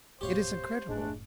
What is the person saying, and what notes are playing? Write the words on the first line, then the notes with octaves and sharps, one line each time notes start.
It is incredible!
D1 G#2 B2 G4 C5 C#5 F5
F#1 A2 G#3 A3 D4